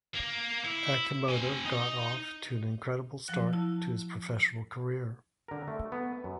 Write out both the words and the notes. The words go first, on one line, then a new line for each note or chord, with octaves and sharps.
Akimoto got off to an incredible start to his professional career.
A#3
E4
C4 G#5
D#4 D#5
F3 F#3 F#6
E4 A5
D3 A#4
A3
B3
F#2